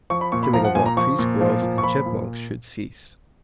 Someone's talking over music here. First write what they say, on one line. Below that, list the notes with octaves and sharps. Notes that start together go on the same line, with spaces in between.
The killing of all tree squirrels and chipmunks should cease.
F3 C#6
B5
A#2 C#6
B5
F3 A#5
F#5
A#2 G#5
A#5
F3 C#6
A#2
F3
A#2
C#6
F3 B5
A#2